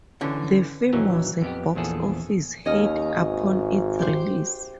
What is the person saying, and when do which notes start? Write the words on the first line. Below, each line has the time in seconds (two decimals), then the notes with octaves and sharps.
The film was a box office hit upon its release.
0.21 D3 E3 C#4
0.93 A#1 D#2 E3 F#3 C#4 A#5
1.42 F2 B3 G4
1.75 A#1 E2 F3 G#4 A4
2.65 D#2 C#4 D#5 F6
3.15 G#1
3.99 G4 C5